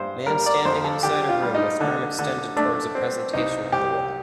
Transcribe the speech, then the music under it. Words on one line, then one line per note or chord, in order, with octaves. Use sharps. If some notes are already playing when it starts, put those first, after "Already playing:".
Man standing inside a room, with arm extended towards a presentation on the wall.
Already playing: G2 C5
G3 A#4
D5
F2 C5
A4
D3 G4
F4
G3
D#4
D3
D3
A3 D4
C4
C2 D#4
C2 G4